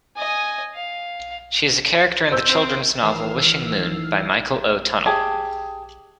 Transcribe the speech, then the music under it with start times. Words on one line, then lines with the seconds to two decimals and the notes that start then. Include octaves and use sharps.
She is a character in the children's novel "Wishing Moon" by Michael O. Tunnell.
0.16 D#5 G#5
0.74 F5
2.31 C5 E6 G6
2.49 C4
3.03 D#3 E3 E6 F6 C7
5.06 G4 G#4 G5 A5